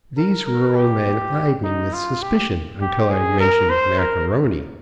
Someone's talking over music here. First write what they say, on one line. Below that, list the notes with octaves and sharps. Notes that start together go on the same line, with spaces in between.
These rural men eyed me with suspicion until I mentioned Mac A'Rony.
A#4
A#4
G4
D#4
F4
G4
G4
G#4
A#4
C5
A#4